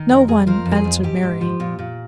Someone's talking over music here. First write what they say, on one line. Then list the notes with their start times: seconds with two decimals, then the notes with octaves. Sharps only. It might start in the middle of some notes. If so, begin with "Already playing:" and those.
"No one!" answered Mary.
Already playing: D#3
0.09 F2 A#4
0.28 F2 G#4
0.47 F3 A#4
0.66 F2
0.71 A#4
0.75 G#4
0.85 F2
1.03 G#2 G4
1.23 G#2
1.41 F3
1.60 A#2
1.79 A#2